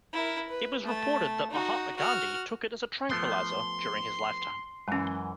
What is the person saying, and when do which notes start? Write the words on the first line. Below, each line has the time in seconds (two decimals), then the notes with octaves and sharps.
It was reported that Mahatma Gandhi took it as a tranquilizer during his lifetime.
0.13 E4 A#4
0.49 B4
0.84 A3 A5
1.51 D#4 F#4
1.96 F#4 F6
3.10 F3 A3 B3 C6
4.88 F#2 E3 G#3 C#4